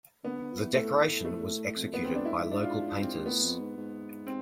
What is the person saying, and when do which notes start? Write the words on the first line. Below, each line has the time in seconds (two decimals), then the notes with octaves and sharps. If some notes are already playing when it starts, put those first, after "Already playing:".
The decoration was executed by local painters.
0.24 D3 B3
0.41 D3
0.53 F3
0.58 E3
0.74 A2 A3
1.25 A3
1.75 F2
1.92 F2 B3
2.04 F2 C4
2.15 D4
2.25 G#2 E4
2.51 D4
2.63 F4
3.01 C4
3.14 G#2
3.26 A2 B3
3.43 F2
3.60 G#2
3.77 G#2
4.27 C4